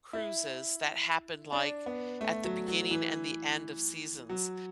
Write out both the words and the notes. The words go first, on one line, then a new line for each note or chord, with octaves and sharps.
cruises that happen, like, at the beginning and the end of seasons.
E4
D4
B3
A3
F#3
F#3
E3
F#3